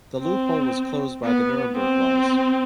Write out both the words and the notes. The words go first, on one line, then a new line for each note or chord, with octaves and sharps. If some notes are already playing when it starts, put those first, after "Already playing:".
The loophole was closed by the Nuremberg Laws.
C4
B3
C4